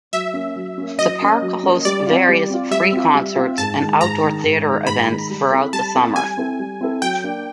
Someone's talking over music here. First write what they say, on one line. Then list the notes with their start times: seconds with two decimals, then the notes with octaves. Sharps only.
The park hosts various free concerts and outdoor theater events throughout the summer.
0.13 F#3 E5
0.34 A#3 C#4
0.56 F#3
0.78 A#3 C#4
0.99 F#3 D#5
1.21 A#3 C#4
1.42 F#3
1.63 A#3 C#4
1.85 G3 D5
2.07 C4 F4
2.29 G3
2.50 C4 F4
2.71 G3 E5
2.93 C4 F4
3.14 G3
3.36 C4 F4
3.58 G#2 A5
3.79 D#3 G#3
4.01 G#2 A#5
4.22 D#3 G#3
4.43 G#2
4.65 D#3 G#3
4.87 G#2 B5
5.08 D#3 G#3
5.30 G3
5.51 C4 E4 A4
5.73 G3 A5
5.95 C4 E4 A4
6.16 G3 G#5
6.37 C4 E4 A4
6.59 G3
6.81 C4 E4 A4
7.02 F#3 G5
7.24 A#3 D4